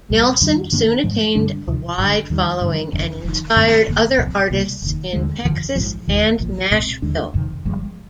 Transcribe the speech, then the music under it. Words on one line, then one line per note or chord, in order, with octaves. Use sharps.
Nelson soon attained a wide following and inspired other artists in Texas and Nashville.
C2 A#2 G3
F2 D#3 G3 D4
G2 D#3 A#3 D4
G#2 F3 G#3
G2 D3 G3 D4
D2 C3 F3
G#1 G2 D3
D#2 D#3 G3
G2 D3 F3
F1 F2 D3
F1 F2 D#3
G2 D#3 G#3 C4
F1 F2 D#3 A#3
C2 A#2 F3 C4
C2 C3 G3 A#3
F1 D#2 D#3
D#2 D3 G#3
G1 F2 D3 F3
A#1 G#2 F3
F1 D#2 D#3
A#1 A#2 F3
C2 A#2 G#3 C4
D#2 D3 G#3 D4
G1 F2 C3 D#3
G1 G2 F3 G#3